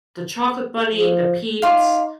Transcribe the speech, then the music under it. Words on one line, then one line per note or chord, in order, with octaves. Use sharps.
the chocolate bunny, the peeps,
F3
D#4 F5 C6 D6